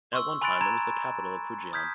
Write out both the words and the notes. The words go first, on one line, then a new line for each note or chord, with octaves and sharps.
At one time, it was the capital of Fujian.
C6 C#6 E6
G#5 B5 C6 F#6 A6 D7
A#5 G#6 E7
D#6 F6 G6 G#6 B6